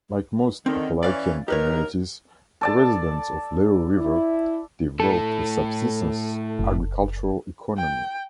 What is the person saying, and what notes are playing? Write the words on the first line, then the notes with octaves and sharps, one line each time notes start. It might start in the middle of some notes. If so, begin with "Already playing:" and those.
Like most Appalachian communities, the residents of Little River developed a subsistence agricultural economy.
D3 D#3 C4
E3 C#4 D5 F5
D#2 D#4 G4 A#4 B4 C#5
A4 D5 A5
E4
A2 A3 A4
F#1
G5